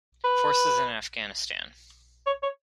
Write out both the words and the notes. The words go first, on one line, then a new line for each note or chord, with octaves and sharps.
Forces in Afghanistan.
B4
C#5
C#5